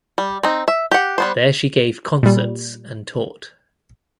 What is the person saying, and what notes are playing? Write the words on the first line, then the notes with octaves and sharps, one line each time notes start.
There she gave concerts and taught.
G3
C4 D#4
E5
G4 F#5
G3 B3 C5
A#2 G3